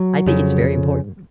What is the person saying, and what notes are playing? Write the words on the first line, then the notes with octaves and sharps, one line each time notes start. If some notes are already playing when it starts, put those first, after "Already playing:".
I think it's very important.
Already playing: F#3
F2 C#3